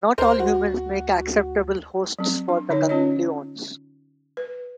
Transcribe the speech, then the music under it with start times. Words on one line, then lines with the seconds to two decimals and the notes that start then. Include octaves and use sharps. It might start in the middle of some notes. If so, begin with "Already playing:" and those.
Not all humans make acceptable hosts for the Ganglions.
0.18 D2 A#4 C5
0.39 F#4
2.19 F#3 C4
2.49 D4
2.69 D3 D#4 C#5
2.89 C#4 F4 C#5 D#5
4.37 B4